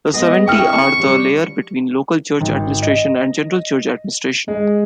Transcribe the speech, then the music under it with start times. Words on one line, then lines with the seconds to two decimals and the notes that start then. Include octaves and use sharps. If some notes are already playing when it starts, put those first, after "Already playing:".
The seventy are the layer between local church administration and general church administration.
0.14 G#3 B3 G#4 D#5
0.48 C4 E4 A4 G5 C#6 D#6 F6
0.98 F3 G3 C#4
2.41 G#1
2.83 D#5
4.48 G#3